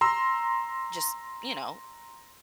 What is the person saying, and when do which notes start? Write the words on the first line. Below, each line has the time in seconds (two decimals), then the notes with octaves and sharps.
just, you know,
0.01 A#5 C6 E6